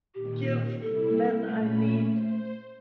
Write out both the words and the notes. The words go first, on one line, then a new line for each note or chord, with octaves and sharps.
give men I meet
A#2 D#3 G4
C3 G3 E4 A4
A#2 A3 C#4 B5
C5